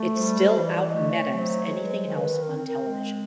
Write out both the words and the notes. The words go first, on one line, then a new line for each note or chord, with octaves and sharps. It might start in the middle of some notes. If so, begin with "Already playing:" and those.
It still out-metas anything else on television.
Already playing: A3
G3 C5
C5
E3
D5
A3 D#5
D5
C#5
F#3
C5
G#3 C5
B4
C5
D#3
B4
C4 A#4
A#4
G#3